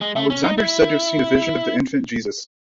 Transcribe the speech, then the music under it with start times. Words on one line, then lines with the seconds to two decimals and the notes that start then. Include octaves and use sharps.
Alexander is said to have seen a vision of the infant Jesus.
0.01 G#3
0.16 A3
0.30 C#4
0.44 D#4
0.58 E4